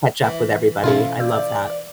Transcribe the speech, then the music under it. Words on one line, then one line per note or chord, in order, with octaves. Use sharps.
catch up with everybody. I love that.
E3
B2 F3 C#4 E4 F4 A4
D5 E6 G6